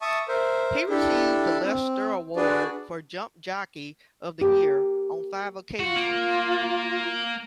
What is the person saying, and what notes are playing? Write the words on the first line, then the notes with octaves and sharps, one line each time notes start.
He received the Lester Award for Jump Jockey of the Year on five occasions.
E5 A5 C#6 D#6
A#4 C5 E5
D4 E4 G4 A4
C4
D4 F#4 G#4 B4 D5
A#3 G4
F4 F#4
A#3